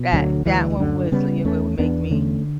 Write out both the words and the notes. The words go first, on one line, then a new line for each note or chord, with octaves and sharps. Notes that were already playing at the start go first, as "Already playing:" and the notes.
That that one was you w would make me
Already playing: B2
D2 D3 F#3
D2 E3 G3
F#2 D3
C#3 G3 B3
E2 A3 C#4
E2 B3 D4
D3 A3 C#4